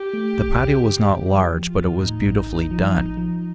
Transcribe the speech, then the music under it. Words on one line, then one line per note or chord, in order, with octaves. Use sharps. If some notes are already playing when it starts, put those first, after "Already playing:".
The patio was not large, but it was beautifully done.
Already playing: G4
A3
B1
D#2
D3
D#2
F3
F3
F4
D#2
A2 D#4
A1
A1
F3
A1
F3